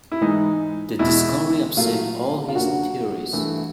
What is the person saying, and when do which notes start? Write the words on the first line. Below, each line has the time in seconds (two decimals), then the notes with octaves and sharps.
The discovery upset all his theories.
0.12 E4
0.21 G#2 E3 G#3 D#4
0.99 E2 B2 G#3 E4
1.77 A#2 F#3 A3 F4
2.48 F4
2.55 F#2 D3 F#3 A#3 F#4
3.33 G2 E3 A3